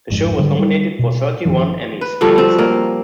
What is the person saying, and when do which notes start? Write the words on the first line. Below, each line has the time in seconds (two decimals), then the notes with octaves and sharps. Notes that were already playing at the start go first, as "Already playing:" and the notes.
The show was nominated for thirty-one Emmys, winning seven.
0.10 G#1 F2 G#2
0.39 D3 D#3 G3
0.58 G3
0.99 B2
1.45 G1 C#2 D#3 F3
2.01 B4
2.21 D3 F3 G3 F#4
2.38 C4
2.58 A#3